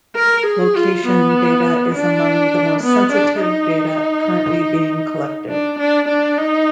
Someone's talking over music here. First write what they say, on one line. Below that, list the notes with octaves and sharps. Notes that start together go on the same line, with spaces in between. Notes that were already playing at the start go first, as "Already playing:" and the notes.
Location data is among the most sensitive data currently being collected.
A#4
G#4
F4
B3
D4
B3
D4
D#4
D4
D4
D4
D#4